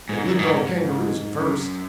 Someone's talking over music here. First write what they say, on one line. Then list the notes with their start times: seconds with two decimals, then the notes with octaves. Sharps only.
They lived on kangaroos at first.
0.09 G#2
0.25 F#2
0.39 G#2
0.53 G#2
1.39 F#2